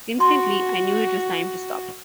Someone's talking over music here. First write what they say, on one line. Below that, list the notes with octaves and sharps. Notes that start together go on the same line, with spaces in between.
Instantly I knew it was time to stop.
F#4 C6